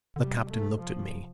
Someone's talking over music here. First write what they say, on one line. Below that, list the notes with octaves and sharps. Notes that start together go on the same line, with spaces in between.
The captain looked at me.
D3
C3 G3
A3
F3